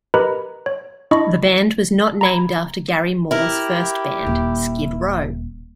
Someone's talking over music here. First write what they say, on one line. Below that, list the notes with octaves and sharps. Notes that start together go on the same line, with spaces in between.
The band was not named after Gary Moore's first band, Skid Row.
G4 A#4 B4 D#5 A#5 B5
C#5
D4 E4 D#5 B5 C#6
A#5 B5 G#6
E4 G4 A#4
D#1